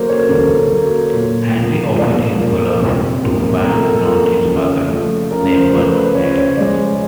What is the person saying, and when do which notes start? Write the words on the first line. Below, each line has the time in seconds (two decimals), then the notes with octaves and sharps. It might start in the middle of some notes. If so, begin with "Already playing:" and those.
Henry opens his glove to find not his father's name, but Mary's.
Already playing: D3 F#3 A#3 A#4 C5
0.09 C#5
0.29 D3
0.71 F#3 A#3
1.13 A#2
1.55 F3 A#3
1.96 A#2 D5
2.38 F3 A#3
2.80 C3
3.23 F3 A#3
3.64 C3 A#4
3.75 A4
3.95 A4
4.05 F3 A#3
4.47 C#3
4.89 F3 A3
5.31 C#3 A#4
5.52 C5
5.72 F3 A3 B4
5.94 B4
6.14 C#3 C#5
6.25 C5
6.38 C#5
6.56 F3 G#3 D5